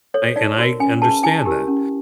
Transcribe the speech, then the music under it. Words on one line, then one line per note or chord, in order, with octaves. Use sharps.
I and I understand that.
A4 C5 C#5
D#4 D5
F#4 A#4 C#5
C#4 G#5
F4 G#4 B4 A5
E4 G#5
G4 A#4
C#4